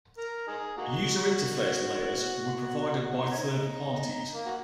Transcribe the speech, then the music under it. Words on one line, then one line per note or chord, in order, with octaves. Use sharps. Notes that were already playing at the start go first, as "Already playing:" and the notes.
User interface layers were provided by third parties.
A#4
D#4 G#4
A#3 D#4 F#4
F#4
D#4
C#4
D#4
A#3
F#4